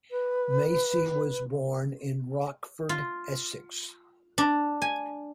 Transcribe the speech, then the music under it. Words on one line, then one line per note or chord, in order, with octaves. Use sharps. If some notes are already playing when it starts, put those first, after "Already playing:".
Macey was born in Rochford, Essex.
B4
F4
D4
G#5